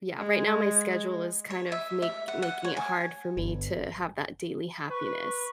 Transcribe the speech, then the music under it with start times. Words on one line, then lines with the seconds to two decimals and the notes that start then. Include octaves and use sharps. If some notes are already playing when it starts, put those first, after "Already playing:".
yeah, right now my schedule is kind of make making it hard for me to have that daily happiness.
0.18 G#3
1.50 C#5
1.72 E5
2.02 E5
2.28 F#5
2.42 F#5
2.64 C#5
2.77 G#5
3.37 G1
4.90 B4 C#6